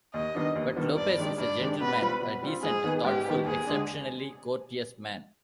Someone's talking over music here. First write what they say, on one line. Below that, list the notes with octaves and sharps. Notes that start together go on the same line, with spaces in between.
But Lopez is a gentleman - a decent, thoughtful, exceptionally courteous man.
D#2 D#5
D#3 G3 B3 D4
D#2
D#3 G3 B3 D4
G2 D5
D#3 G#3 D4 G4
G2 D5
D#3 G#3 D4 G4
B2 B4
G3 C4 F4
B2
G3 C4 F4
G#2 G#4
D#3 B3 D#4 B4
G#2 G4
D#3 B3 D#4 B4
D#2 G#4
D3 G#3 D4